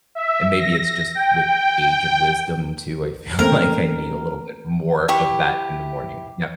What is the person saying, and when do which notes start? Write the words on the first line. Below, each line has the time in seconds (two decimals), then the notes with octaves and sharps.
and maybe it's just with age and wisdom too, I feel like I need a little bit more of that in the morning Yep,
0.15 E5
0.59 A#6
1.15 G5
3.39 E3 A3 A#3 C4 C#4 A#4
5.08 E4 G4 C#6